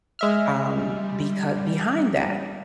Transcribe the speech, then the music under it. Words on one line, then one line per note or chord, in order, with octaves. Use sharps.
um, becau behind that
G#3 E5 F6
G3